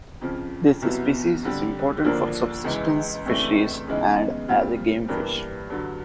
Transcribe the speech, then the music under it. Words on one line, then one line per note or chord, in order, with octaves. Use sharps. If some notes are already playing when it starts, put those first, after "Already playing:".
This species is important for subsistence fisheries and as a gamefish.
F2 C#3 F3
C2 B2 F#3 B3 E4
F2 D3 G3
D#2 D3 F3 A#3 D4
C#2 C#3 E3 G#3
C#2 C3 E3 A3 D4
C#3 E3 G#3 B3 D#4
A#2 G3 C4 F4
G2 E3 G3 A#3 D4
G2 D3 F#3